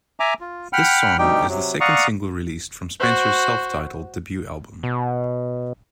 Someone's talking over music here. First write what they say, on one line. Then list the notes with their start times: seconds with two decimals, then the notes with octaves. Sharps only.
This song is the second single released from Spencer's self-titled debut album.
0.20 E5 G#5 A#5 D6
0.41 F4
0.73 F#5 G5 B5 F6
1.19 D2 B2 G3 D#4 G4 G5
1.49 C3 F#3
1.81 D5 F5 F#5 A#5 C#6 D#6
3.00 F#4 C5
4.83 B2